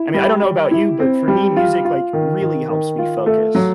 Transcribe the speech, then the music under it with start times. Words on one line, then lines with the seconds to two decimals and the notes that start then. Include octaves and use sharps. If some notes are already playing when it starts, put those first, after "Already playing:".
I mean, I don't know about you, but for me, music, like, really helps me focus.
Already playing: E4
0.14 G3
0.42 G4
0.71 E4
1.00 C4
1.28 G3
1.56 F4
1.85 F4
2.13 D#3
2.41 D#3
2.69 D#3
2.98 F4
3.26 A3
3.55 F#3